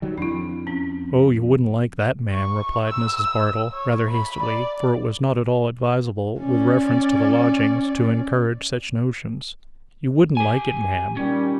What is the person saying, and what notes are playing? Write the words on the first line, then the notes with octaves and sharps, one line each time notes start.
'Oh, you wouldn't like that, ma'am,' replied Mrs. Bardell, rather hastily; for it was not at all advisable, with reference to the lodgings, to encourage such notions; 'you wouldn't like it, ma'am.'
D#3 F#3 G3
F2 D4 E4
C4 C#4
C#6
E6
C#5
B5
D5
C#4 D5
G4 G#5
A#2 D#3 G3 C#4